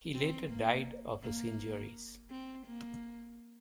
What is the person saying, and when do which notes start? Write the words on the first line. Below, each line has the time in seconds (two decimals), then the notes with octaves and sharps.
He later died of his injuries.
0.15 C4
0.50 A#3
1.22 A#3
2.30 C4
2.67 A#3